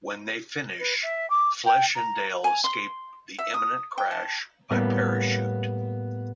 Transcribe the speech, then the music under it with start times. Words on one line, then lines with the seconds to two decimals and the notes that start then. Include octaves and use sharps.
When they finish, Flesh and Dale escape the imminent crash by parachute.
0.79 B4
1.02 E5
1.30 D6
1.65 G5
1.95 A#5
2.44 G#5
2.64 C6
3.39 E5
3.54 D#6
3.98 G5
4.11 A5
4.71 A2 G3 A#3 B3